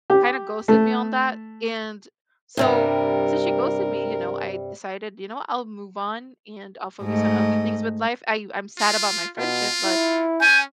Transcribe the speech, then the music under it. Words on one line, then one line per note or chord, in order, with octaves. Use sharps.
kinda ghosted me on that, and, so, since she ghosted me, you know, I decided, you know, I'll move on and I'll focus on other things with life, I I'm sad about my friendship, but
G4
A3
G2 C3 G3 A#4
G#2 A3 D#5
F4
B2 F4
E4
C#4 G#5 G6